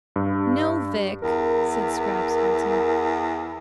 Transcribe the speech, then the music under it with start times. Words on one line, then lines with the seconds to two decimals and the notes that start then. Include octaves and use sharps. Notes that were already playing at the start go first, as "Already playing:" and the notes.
"No, Vic," said Scraps, halting.
0.16 G2
1.22 E2 A#4